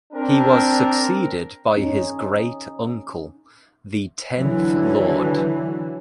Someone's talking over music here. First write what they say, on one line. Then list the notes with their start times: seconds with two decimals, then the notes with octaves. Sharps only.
He was succeeded by his great-uncle, the tenth Lord.
0.13 C4 D4 A#4
1.77 C#4 D#4
4.37 D3 E3 F#3